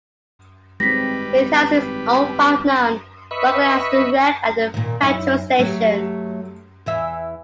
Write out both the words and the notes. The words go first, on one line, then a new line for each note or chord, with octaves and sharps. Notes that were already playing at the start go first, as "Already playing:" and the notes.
It has its own park known locally as the Rec, and a petrol station.
G#1 G3 G#3 C4 B4 A#6 B6
B4 D#5 E5 B5 C#6
A#2 D#3
F#2 D#4 E4
F#3 A3 G4
E2 E3 E5